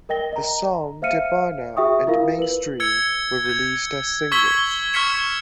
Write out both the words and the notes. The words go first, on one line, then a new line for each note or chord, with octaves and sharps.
The songs "Djapana" and "Mainstream" were released as singles.
A#4 D#5 G5 A#6 G7
D#5 A#5
C5 E5 F5 F6 C#7 D#7
F#4 G#4 E5 G5 C#6 D#6
E4 F4 A#4 F5
B4 F#7
E6 G#6 C#7
G6 G#6
C#6 E6 G#6 B6 F#7 G7
C#6 F6 G#6 B6 C#7 E7